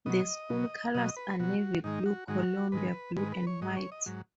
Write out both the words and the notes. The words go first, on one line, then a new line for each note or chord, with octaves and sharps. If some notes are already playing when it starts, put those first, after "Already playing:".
The school colors are navy blue, Columbia blue, and white.
B2 F#3 D#5
B2 F#3
B2 F#3 D#5
B4
B2 F#3 F#4
G#2 D#3 G#3 D#4
F#4
G#2 D#3 G#3 F#4
G#2 D#3 G#3 B4
G#2 D#3 G#3 B4
B4
C#5
G#2 F#3 D#5
C#5
D#5
G#2 F#3